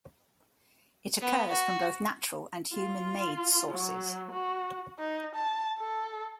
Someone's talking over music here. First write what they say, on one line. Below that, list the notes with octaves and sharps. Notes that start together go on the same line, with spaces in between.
It occurs from both natural and human-made sources.
B3
F#4
F4
F#3
F#4
D#4
A5
A4